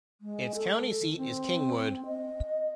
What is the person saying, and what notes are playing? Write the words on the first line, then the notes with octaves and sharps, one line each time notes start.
Its county seat is Kingwood.
G#3
A4
D#3
C4
D#5